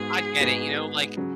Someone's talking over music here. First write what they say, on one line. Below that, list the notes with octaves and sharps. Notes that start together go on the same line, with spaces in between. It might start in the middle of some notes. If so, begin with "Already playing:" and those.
I get it, you know? Like,
Already playing: G#2 G#3 B3 F#4 G#4 B4
G#2 G#3 B3 F#4 B4
C#3 F#3 C#4 G#4